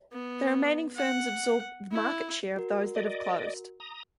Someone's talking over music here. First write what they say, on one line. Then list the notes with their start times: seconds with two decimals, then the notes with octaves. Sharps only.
The remaining firms absorb the market share of those that have closed.
0.12 B3
0.96 F#5
1.92 E4
2.56 F#4 A#4
2.95 D5 D#5
3.80 A#5 D#6